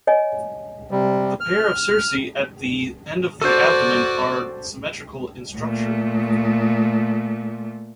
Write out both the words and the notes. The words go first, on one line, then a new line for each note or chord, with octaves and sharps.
The pair of cerci at the end of the abdomen are symmetrical in structure.
C#5 D#5 G#5
C3 G3
F6
F#4 A4 C5 D5
A#2 A3